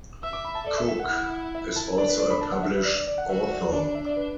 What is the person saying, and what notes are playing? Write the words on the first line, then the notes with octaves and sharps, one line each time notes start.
Cook is also a published author.
E5 E6
D6
B5
A5
A4 D5
E5
E5
F#5
E4
E5
A5
D4 D5
B4
D5
B5
A5
F#5
E5
B4
D5
D5
D5
F#5
F#4 E5
D5
D4 D5
D5
E5
D5
B4